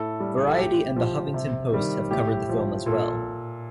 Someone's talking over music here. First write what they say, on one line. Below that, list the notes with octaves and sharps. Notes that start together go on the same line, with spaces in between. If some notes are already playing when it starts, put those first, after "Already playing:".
Variety and The Huffington Post have covered the film as well.
Already playing: A2 A4
G3
A4
A2 G4
F3
C3
D#3 G3
A2 G4
F3
A#2 A4